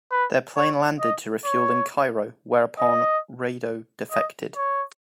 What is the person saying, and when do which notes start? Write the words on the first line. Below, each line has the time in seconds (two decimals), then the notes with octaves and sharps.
Their plane landed to refuel in Cairo, whereupon Rado defected.
0.12 B4
0.56 C#5
1.00 D#5
1.45 C#5
2.78 D#5
4.11 D#5
4.56 C#5